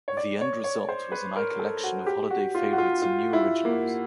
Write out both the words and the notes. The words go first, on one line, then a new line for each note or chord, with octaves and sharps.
The end result was a lcollection of holiday favorites and new originals.
C#5
D5
C#5
C#5
C5
B4
A#4
A4
F#4
G4
F#4
F4
F#4
F4
F4
E4
A#3